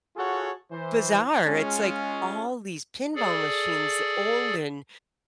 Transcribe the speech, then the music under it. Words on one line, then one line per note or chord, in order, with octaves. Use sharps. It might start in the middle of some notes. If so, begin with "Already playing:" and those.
bizarre, it's like, all these pinball machines, old and
F4 F#4 G#4 A4 C#5 F#5
E3 C5
G#3 C#4 F4
G#4 A4 D5